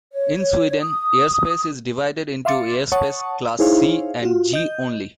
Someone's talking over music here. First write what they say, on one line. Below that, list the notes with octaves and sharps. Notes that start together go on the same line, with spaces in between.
In Sweden, airspace is divided into airspace class C and G only.
C#5
D#6
E5 F5 C6 D6 A6 C#7
C#5 F#5 A5 C#6 D#6
D#4 E4 G#4 C5 C#5 F5
F4 F#4
D#5 G6